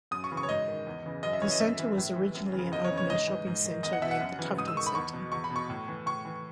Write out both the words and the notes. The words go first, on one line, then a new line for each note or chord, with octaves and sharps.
The centre was originally an open-air shopping area named The Tufton Centre.
F#2 D#6
C#6
C#3 E3
C#6
C#5
G#2 D#5
D#3
E2
C#3 E3
F#2 D#5
E5
E3 C#5
D#5
F#2 E5
E3
A2
E3
F#2
E3
C#3
E2 D#5
C#5
C#3 E3
C#5
G#2 D#5
E3
G#2
D#3
E2 D#5
F#5
B2 E5
F#5
F#2
C#3 E3
G#2 D#6
E6
D#3 C#6
B5
E2 C#6
B2
E2 C#6
B5
B2
C#6
A2
E3
A2 C#6
E3